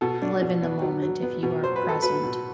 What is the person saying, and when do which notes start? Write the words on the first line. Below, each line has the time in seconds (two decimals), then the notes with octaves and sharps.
live in the moment, if you are present,
0.01 B2 A4
0.22 D4
0.42 B2
0.62 B3
0.82 F#3
1.02 F#3
1.22 B3
1.43 B2
1.63 F#3 C5
1.76 B4
1.83 F#3
1.89 A4
2.02 F#3 B4
2.23 B2